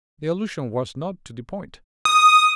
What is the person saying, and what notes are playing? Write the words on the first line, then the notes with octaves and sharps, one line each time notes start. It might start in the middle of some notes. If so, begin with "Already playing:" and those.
The allusion was not to the point.
D#6